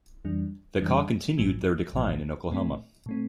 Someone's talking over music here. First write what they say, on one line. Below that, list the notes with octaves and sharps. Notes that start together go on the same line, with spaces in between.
The Kaw continued their decline in Oklahoma.
F2 E3 G3 D4
F2 E3 G3 D4
A1 A2 F3
A1 A2 F3
A#2 A3 C4
A#2 A3 C4